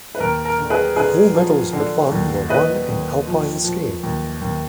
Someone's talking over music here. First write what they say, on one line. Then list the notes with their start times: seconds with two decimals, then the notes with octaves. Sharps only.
All medals but one were won in alpine skiing.
0.15 B4
0.20 D#2 A#4
0.45 A#4
0.58 D3
0.70 G#4 B4
0.96 D3 G#4 B4
1.34 F3
1.73 D3
2.11 D#2
2.49 D#2 B4 D#5
2.89 D#2
3.27 F3
3.64 F3
4.03 D#2
4.41 D#2